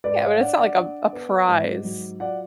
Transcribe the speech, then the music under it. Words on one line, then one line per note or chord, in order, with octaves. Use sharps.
yeah, but it's not like a a prize.
G#2 B4 D5
C#5 F5
D4 D5 F#5
D5 F#5
D4
B3
G#2
F#3
F4 D5 F#5